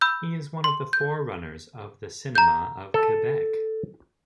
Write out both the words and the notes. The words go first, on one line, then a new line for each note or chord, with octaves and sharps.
He is one of the forerunners of the Cinema of Quebec.
B5 E6 G6
C6
G6
A#5 G6
A4